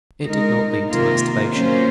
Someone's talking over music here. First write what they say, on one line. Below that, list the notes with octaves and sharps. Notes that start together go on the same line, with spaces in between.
It did not lead to masturbation.
G#3 D#4 A#4
C3 D#3 A#3 F4 A#4
F#3 A#3 C#4 F4 C5